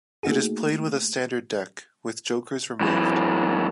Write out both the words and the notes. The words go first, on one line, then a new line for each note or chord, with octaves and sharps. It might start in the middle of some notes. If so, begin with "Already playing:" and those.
It is played with a standard deck, with jokers removed.
A3 A#3 D#4 F#4 G#4
F#2 E3